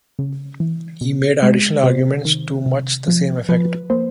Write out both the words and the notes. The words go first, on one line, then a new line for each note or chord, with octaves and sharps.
He made additional arguments to much the same effect.
C#3
E3
B2
G#3
C3 C5
D#3
C3
F3
F3 B4
A#3 C5